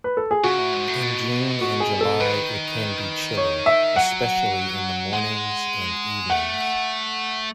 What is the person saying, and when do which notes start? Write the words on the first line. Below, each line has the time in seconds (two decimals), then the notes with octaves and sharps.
In June and July it can be chilly, especially in the mornings and evenings.
0.04 B4
0.17 A4
0.31 G#4
0.44 C#3 F#4
0.59 A2
0.73 G#2
0.88 A2
1.02 B2
1.61 F#4
1.80 G#4
2.01 A4
2.20 D#3 B4
3.37 C#5
3.66 E5
3.96 F#3 F#5
5.12 G#3 F#5
6.30 A3 F#5